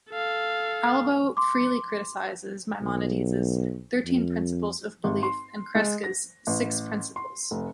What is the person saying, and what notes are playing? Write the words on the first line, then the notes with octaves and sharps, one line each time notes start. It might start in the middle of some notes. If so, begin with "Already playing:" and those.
Albo freely criticizes Maimonides' thirteen principles of belief and Crescas' six principles.
A4 F5
C6 D6
B1
F2
G#1
C6
G#3
A#6
A1
C6
F1